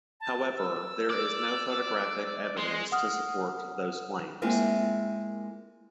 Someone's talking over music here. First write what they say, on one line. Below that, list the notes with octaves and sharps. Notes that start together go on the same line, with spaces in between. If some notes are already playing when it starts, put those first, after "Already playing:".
However, there is no photographic evidence to support those claims.
A5
E6
D5
G#3 C6
F#5 D#6 F6
G#3 A#3 C4 E4 F4 A#4